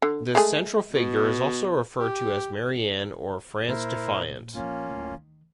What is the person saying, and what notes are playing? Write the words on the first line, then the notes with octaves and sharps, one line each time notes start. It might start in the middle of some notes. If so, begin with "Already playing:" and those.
This central figure is also referred to as Marianne or "France Defiant".
D3
G#3 A3 G#4
B2
G4
A#2 E4 A#4 C5
A#1 F3 A#3 C#4 F4
D1
D#3